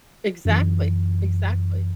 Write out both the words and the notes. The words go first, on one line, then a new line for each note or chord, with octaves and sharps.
Exactly, exactly.
F#2 E3